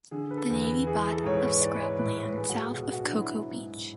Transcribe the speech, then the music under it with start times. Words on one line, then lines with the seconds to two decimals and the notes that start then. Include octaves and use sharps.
The Navy bought of scrub land south of Cocoa Beach.
0.11 D3 G#4
0.31 B4
0.37 A4
0.50 E2
0.62 B4
0.87 E3 G#4
1.12 A4
1.24 G#2 C#5
1.37 B4
1.61 E3 D5
1.74 B4
1.81 C#5
1.99 A2 B4
2.18 B4
2.36 G#3 A4
2.49 F#4
2.56 G#4
2.74 B2 F#4
2.93 F#4
3.04 D4
3.12 F#3 E4
3.49 G#2